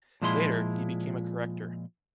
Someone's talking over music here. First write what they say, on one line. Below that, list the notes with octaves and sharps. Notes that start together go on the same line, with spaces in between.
Later, he became a corrector.
A#2 F3 G#3 E4 B5 C6